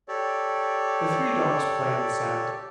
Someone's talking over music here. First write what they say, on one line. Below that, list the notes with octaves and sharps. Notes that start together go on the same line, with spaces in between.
The three dogs play in the sand.
G4 A4 C#5 D5